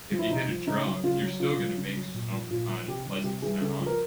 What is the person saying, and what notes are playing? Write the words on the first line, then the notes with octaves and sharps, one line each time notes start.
if you hit a drum, you're still gonna make some kind of pleasant sound,
F3
E4
C3 D#4
F3
C#3 D#4
F#3
C#3 F4
F#3
C#3 F4
F#3
C#3
F#3
A#2
F3
A#2 F4
F3
C3 G4
E3 G3
C3 G4
E3 G3 G#4
C#3 A4
F3
A#4